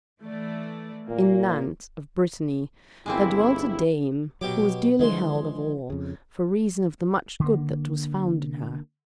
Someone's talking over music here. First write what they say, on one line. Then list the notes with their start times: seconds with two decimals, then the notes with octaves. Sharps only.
In Nantes, of Brittany, there dwelt a dame who was dearly held of all, for reason of the much good that was found in her.
0.21 E3 A3 D5
1.08 A#2 A#3
3.06 G1 G#3 A#3 C4 E4
4.41 B2 F#3 G4 D6
4.99 D3 E3 F3 G#3 C6
5.90 F2 C#3
7.40 D3 A#3